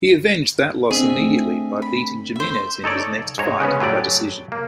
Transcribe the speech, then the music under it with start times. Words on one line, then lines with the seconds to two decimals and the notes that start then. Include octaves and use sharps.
He avenged that loss immediately by beating Jimenez in his next fight, by decision.
0.91 C4 D4 G#4 D#5 E5
1.17 A3 A4
1.82 B5
2.36 C5 E5
2.84 D#4 A4 C#5 D5
3.38 G#2 C#5 A#5
3.60 C#3 G#3 B3 C#4
3.80 A2 F#3 G4 D5
4.52 A#3